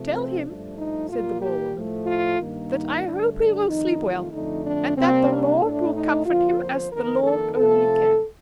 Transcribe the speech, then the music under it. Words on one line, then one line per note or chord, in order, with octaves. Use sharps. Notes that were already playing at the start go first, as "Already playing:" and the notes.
"Tell him," said the Boer-woman, "that I hope he will sleep well, and that the Lord will comfort him, as the Lord only can."
Already playing: C3 F3 A3
C4
G2 F3 A3 D4
D#4
A#2 G3 A#3 F4
G4
A2 F3 A3
F4
G2 D#3 A#3
D#4
G2 D3 A3 D4
D4
F2 C3 D#3 A3 D#4
F4
F2 D3 A3 D#4
D4
C3 G3 A#3 C4
D4
A2 A3 D4
D#4
F2 D3 F3 A#3 F4
C5
F2 D#3 A#3 A#4
A4
C3 F3 A3 A4